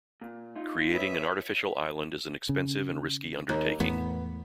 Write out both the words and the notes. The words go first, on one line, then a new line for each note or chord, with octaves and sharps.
Creating an artificial island is an expensive and risky undertaking.
A#2
D#4 F4
B4 C#5 D#5 E5
C#3
D#2
E2 A2 B3